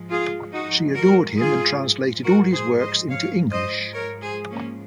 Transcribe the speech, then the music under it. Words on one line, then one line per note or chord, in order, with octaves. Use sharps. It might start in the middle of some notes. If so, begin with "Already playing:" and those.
She adored him and translated all his works into English.
Already playing: G#2 F3 G#3
F4 G#4
D#4 F#4
F#4 A#4
F4 G#4
F#4 A#4
G#4 C5
C5 D#5
G#2 F3 G#3 C#5 F5
C5 D#5
A#4 C#5
G#4 C5
A#3 C#4